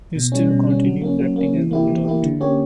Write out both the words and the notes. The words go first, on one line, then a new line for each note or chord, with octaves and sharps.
He still continues acting as an adult.
B2
G3 C#4
B2
G3 C#4
F#3
A#3 C#4
F#3
A#3 C#4
E3
A#3 E4 G4
E3
A#3 E4 G4
D3
A#3 C#4 G4 C#5